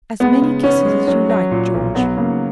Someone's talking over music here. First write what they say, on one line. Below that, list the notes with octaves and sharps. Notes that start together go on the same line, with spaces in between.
"As many kisses as you like, George."
G#3 B3
C#3
B3 C#4
G#3
F#3 C#4
F#3
A#2
B1
F#3 B3
C#3 A#3